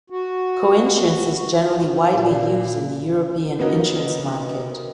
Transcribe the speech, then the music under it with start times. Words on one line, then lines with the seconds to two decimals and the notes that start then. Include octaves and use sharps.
Coinsurance is generally widely used in the European insurance market.
0.10 F#4
2.10 A#2
3.59 A#3 B3 C#4 D#4 F#4 A#4